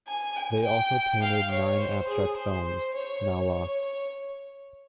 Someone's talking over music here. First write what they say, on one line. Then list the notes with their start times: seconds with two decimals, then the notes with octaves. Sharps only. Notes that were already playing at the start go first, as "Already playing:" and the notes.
They also painted nine abstract films, now lost.
0.08 G#5
0.37 G#5
0.65 G5
1.23 F5
1.52 C#5
1.80 C5
2.08 G#4
2.37 C5
2.94 C#5
3.52 C#5
3.80 C#5